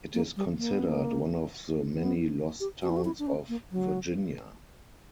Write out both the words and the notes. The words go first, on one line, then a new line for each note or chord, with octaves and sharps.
It is considered one of the many lost towns of Virginia.
A#3
G3
A#3
B3
A#3
B3
G4
F#4
E4
F#4
E4
D4
C#4
A#3
F#3